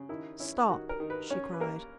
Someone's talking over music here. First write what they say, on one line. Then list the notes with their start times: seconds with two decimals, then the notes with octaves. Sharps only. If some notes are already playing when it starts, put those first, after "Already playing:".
"Stop!" she cried.
Already playing: C#3
0.09 D#3 E4
0.40 C#4 E4
0.69 D#3 F#4
0.89 A#4
1.00 D#3
1.10 B4
1.30 C#4 C#5
1.53 B4
1.60 A#3 A#4